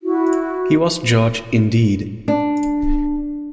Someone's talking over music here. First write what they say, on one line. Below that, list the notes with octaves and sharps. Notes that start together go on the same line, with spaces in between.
He was George indeed.
E4 F#4
D4